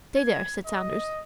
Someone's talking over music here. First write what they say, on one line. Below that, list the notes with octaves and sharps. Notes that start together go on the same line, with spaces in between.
"Stay there," said Saunders.
G#6
D#5